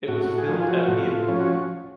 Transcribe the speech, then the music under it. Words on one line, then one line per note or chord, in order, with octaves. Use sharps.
It was filmed at Niles.
A2 F#4
A2
G#4
F3
F4
F3 F#4
A2
F4
A2
F3 C#4
F#4